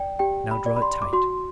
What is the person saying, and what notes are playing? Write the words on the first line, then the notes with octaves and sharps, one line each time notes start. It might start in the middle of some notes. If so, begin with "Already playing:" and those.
Now draw it tight.
Already playing: D5 G5
G4 G5
B5
D5
B5
C6
D6
F#4 C6